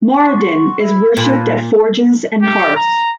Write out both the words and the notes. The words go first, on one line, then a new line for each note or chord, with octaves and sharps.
Moradin is worshipped at forges and hearths.
F#4 C6 C#6
E4
A#2 F4 A4 B4
G4
A#5